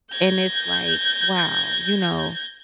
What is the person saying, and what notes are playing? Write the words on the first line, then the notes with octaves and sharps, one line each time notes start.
and it's like, "Wow," you know,
G6 G#6 A#6